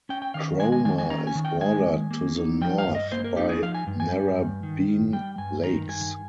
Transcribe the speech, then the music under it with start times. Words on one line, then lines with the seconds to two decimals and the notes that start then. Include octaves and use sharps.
Cromer is bordered to the north by Narrabeen Lakes.
0.09 C#4 G5
0.22 G5
0.34 D#3 F5
0.60 G#3 G#5
0.72 G#5
0.85 D#3 G#5
0.98 G#5
1.10 C#4 A#5
1.27 G#5
1.35 D#3
1.45 G5
1.61 G#3 G#5
1.87 D#3
2.11 A#3
2.36 D#4
2.61 F3 G5
2.78 F5
2.87 G2
2.95 D#5
3.12 A#3 C5
3.24 A#4
3.37 D#4 G4
3.49 G#4
3.62 F3 F5
3.75 G#5
3.87 G2
4.00 G#5
4.12 G3
4.38 G2
4.63 D#3
4.88 G2
5.13 G3 G5
5.38 G2 G#5
5.64 D#3 A#5
5.89 G2 G#5